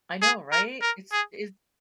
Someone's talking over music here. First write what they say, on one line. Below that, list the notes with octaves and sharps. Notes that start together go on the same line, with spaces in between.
I know, right? It's it's
G#4
A#4
A#4
G#4